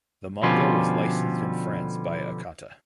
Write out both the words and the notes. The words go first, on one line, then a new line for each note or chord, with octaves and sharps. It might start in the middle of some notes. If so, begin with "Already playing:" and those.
The manga was licensed in France by Akata.
B2 D3 F3 G3 C#4 F4